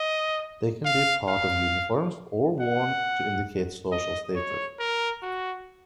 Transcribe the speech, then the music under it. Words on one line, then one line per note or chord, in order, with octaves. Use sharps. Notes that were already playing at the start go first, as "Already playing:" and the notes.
They can be part of uniforms or worn to indicate social status.
Already playing: D#5
F5
F5
F#5
D#5
C#5
A#4
F#4